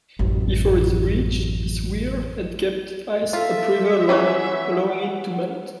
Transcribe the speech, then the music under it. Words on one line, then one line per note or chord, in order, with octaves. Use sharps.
Before its breach, this weir had kept ice upriver longer, allowing it to melt.
A1 F#2
F4 A4 E5
E3 C#4 E4 B4 C#5 F#5